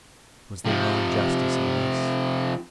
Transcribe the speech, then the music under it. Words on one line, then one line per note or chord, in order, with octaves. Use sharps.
Was there no injustice in this?
C3 F3